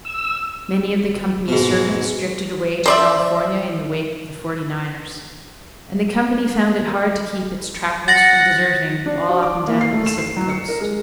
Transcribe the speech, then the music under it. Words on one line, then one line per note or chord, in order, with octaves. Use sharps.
Many of the company's servants drifted away to California in the wake of the 'Forty-Niners,' and the company found it hard to keep its trappers from deserting all up and down the Pacific Coast.
E6
G#2 B2
C5 D5 E5
F#5 A6 A#6
D4
F#4
D6
A#3
C7
A3
E7
C7
F#3
C#7
A#4
G#3